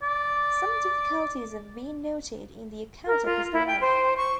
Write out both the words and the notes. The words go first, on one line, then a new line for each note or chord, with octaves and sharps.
Some difficulties have been noted in the account of his life.
D5
A#4
F4
E4
G5
C5
C#6